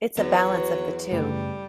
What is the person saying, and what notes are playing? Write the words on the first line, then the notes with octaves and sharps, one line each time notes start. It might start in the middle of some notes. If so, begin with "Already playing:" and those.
It's a balance of the two.
E2 F#3
F#2 C#3 G3 A3